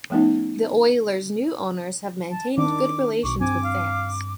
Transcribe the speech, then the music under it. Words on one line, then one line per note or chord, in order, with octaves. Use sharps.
The Oilers' new owners have maintained good relations with fans.
F3 A3 B3 C#4 D#4
A5
D#3 D4 D6
B1 B2 C#6 D6
G2 C4 G#5 D6
F5